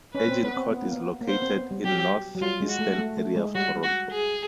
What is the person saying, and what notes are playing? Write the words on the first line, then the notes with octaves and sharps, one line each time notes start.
Agincourt is located in north-eastern area of Toronto.
C#4 B4
C4
B3
C4
B3
A#3
B3
A#3
B3 C5
C4
B3
G3
F#3 G4
F#3
G3 F4
G#3
F#4
A3
A3
A3
G#3
G3 F#4
F#4
G#4